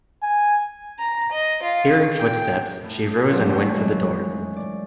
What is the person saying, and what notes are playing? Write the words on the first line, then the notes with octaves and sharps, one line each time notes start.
Hearing footsteps, she rose and went to the door.
G#5
A#5
D#5
F4
G5
A2
E2 A#2 D3 F3 F#3
G3 A3 A#3 C#4 D4 C5
D#3 E3 F#3 G#3 G#4 C#5
D5